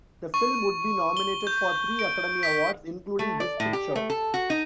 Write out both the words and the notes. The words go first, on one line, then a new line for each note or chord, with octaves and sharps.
The film would be nominated for three Academy Awards, including Best Picture.
C#6
G7
G6
D7
B6
A3
D5
A2
G4
A3
A4
F#4
D#4